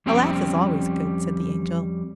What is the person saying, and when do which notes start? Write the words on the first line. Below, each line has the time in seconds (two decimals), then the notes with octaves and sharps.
"A laugh is always good," said the Angel.
0.06 F2 G3 C4 C#4 G5